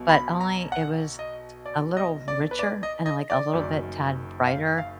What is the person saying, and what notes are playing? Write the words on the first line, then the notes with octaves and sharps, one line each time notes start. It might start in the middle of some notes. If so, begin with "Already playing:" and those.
but only it was t a little richer and, like, a little bit tad brighter,
Already playing: B1 B2
B5
A#5
F#5
D#5
D5
D#5
D5
B4
D5
D#5
D#5
D5
F#1 F#2 D#3
F5
F5